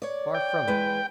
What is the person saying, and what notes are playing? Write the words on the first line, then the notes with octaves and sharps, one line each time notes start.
Far from it.
C#5 D5
G5
E2 G#3 B4